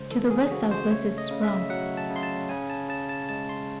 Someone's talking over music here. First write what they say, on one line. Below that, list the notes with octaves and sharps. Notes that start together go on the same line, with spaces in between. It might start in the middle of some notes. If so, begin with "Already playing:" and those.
To the west-southwest is Bronk.
Already playing: C#3 G#3 C5
E3 A4
G#4
C#3 F#4
C5
A3 C#5
D#5
C#3
E5
F#3 F#5
A5
C#3
C6
A5
C#3 G#5
A5
C#3 A5
A5
G#3 A5
C6